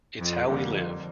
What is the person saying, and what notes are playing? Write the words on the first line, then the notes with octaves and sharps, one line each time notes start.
It’s how we live.
F2
D3 G3 A#3
F2